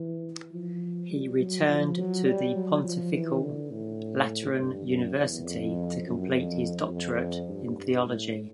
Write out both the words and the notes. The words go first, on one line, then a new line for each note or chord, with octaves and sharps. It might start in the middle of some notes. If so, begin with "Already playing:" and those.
He returned to the Pontifical Lateran University to complete his doctorate in theology.
Already playing: E3
F3
G3
F#3
F3
F#3
G3
F#3
F3
E3
D3
A2
G2
F#2
E2
F2
F#2
F2
F2
G2
G2
A2